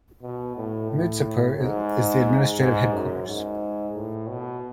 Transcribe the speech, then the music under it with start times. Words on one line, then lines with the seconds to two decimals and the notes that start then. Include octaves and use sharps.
Mirzapur is the administrative headquarters.
0.22 B2
0.56 A2
0.90 A2
1.58 G#2
2.59 G#2
2.93 F#2
3.27 G#2
3.95 A2
4.29 B2